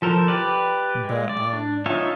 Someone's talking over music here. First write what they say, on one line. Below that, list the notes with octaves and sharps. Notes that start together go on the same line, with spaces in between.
But, um
F3 A4 A#4 C5
G4 B4 D5
G#3
D5
D4
D#4 F4 C#5 E5 G#5